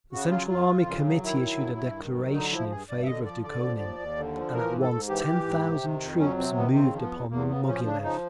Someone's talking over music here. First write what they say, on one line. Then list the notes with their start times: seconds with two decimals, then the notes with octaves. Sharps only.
The Central Army Committee issued a declaration in favour of Dukhonin; and at once ten thousand troops moved upon Moghilev....
0.13 C#3 F#4
0.31 F#3 F4
0.49 F2 F4
0.68 F2
0.85 C#3
1.05 F#3
1.23 D#3 E4
1.42 F#3
1.59 G2
1.78 G2
1.97 D#3
2.14 F#3
2.33 D3 D#4
2.52 F3 E4
2.70 G2 G#4
2.88 G2 D5
3.03 E5
3.06 D3 D#5
3.25 F3 D5
3.43 D3 D5
3.62 F3
3.80 D#2
4.00 D#2
4.17 D3
4.35 F3
4.54 E3 A#4
4.73 G#2
4.82 A4
4.91 G#2
5.09 E3 G4
5.28 E3
5.46 G#2
5.64 C3
5.83 D#3
6.01 F2
6.19 F#3 C#4
6.38 C3 C4
6.56 D#3 B3
6.75 C#3 C4
6.93 F3
7.03 B3
7.11 E2
7.30 E2 A#3
7.49 C#3 B3
7.67 F3 C#4
7.85 C#3 D4
8.04 F3 D#4